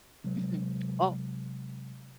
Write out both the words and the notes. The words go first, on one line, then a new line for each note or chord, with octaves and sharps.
Mhm Oh.
C3 F#3 G#3